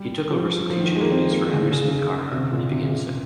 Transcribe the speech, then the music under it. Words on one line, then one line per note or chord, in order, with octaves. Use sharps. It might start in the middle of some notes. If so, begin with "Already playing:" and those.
He took over some teaching duties for Henry Smith Carhart when he became sick.
Already playing: G3
F3
F3
D#3
G#3
A#3
C4
A#3
D#3
C#3
C#3
C#3
C3
A#2
C3
C#3
C3